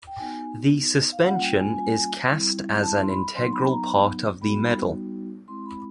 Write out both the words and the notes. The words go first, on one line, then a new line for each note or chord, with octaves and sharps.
The suspension is cast as an integral part of the medal.
G5
B3 D#4 F#4 G#5
F5
G3 A#3 C#4 F4 F#5
G5
G#5
G#5
G3 C4 E4
A5
C6
B5
F#3 B3 D#4 C6
B5
A#5
B5
G3 B3 D#4 F#4 B5
G#3 C4 E4 C6
B5